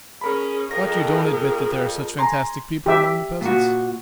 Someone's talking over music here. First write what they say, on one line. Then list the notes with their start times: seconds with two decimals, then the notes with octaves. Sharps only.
What, you don't admit that there are such fantastic people among the peasants?
0.21 C#4 G#4 A#4 B5
0.71 F2 G#4 A#4 A#6
1.24 F2
2.19 G#5 A#5 C6
2.86 G4 E5
3.41 A#2 F#4